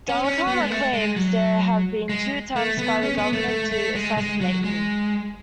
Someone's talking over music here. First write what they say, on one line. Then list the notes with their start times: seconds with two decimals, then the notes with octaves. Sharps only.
Dhlakama claims there have been two attempts by the government to assassinate him.
0.09 C#4
0.24 C#4
0.47 B3
0.60 G#3
0.70 A3
0.93 G#3
1.16 F#3
2.09 G#3
2.56 A3
2.78 B3
3.03 C#4
3.18 B3
3.33 A3
3.48 A3
3.72 A3
3.95 G#3
4.18 G#3
4.41 F#3
4.64 G#3